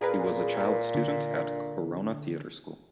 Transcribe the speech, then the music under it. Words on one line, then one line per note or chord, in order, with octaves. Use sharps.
He was a child student at Corona Theatre School.
A#2 G#4 A#4 B4
D3